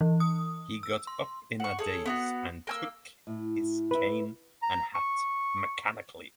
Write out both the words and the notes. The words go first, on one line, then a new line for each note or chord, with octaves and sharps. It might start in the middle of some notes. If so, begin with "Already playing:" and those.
He got up in a daze and took his cane and hat mechanically.
E3
D#6
E6
C6
F#5 C#6
G#4 A4 C#5
B3 E4 F#4
A#3 G#5 E6
A2
E4 B4
A#5
C#6